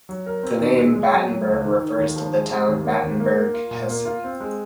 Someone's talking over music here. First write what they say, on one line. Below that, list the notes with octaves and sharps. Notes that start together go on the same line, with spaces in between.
The name Battenberg refers to the town Battenberg, Hesse.
F#3
A#4
C4
D#3
G#3
G#3
F#3
F#3
C#2
D#3
D#3
D#2
F3
G#3
C3
D#2
A#3
D#2
A#3
A#4
F4
A#2
A#3
F4
C4
G#3